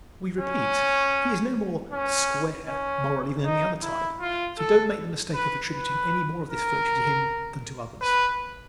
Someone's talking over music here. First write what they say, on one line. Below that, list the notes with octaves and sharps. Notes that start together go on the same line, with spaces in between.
We repeat, he is no more "square" morally than any other type, so do not make the mistake of attributing any more of this virtue to him than to others.
C#4
C#4
C#4
D#4
E4
F4
A4
B4
B4
A#4
B4